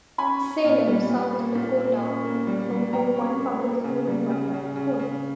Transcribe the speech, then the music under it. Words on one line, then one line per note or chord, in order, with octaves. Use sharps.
Salem, South Dakota is home to one public school and one private school.
C#4 G#5 B5
C#4
A#2
G3
A#2
A#3
A#2
A#3
C#4
A#3
G3
G3
G3 G5 A#5
C#4
A#3
A#3
C#3
G3
C#3
C#3
C#3
C#3